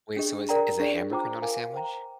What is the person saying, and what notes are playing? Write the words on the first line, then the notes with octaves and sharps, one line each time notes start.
Wait, so is is a hamburger not a sandwich?
D4 G#4 D#5
A#4 D5 G5 A#5
D4 G#4 D5
F4 C5 G5 A#5 D6
A#4 F5 G#5 D6
C5 G5 A#5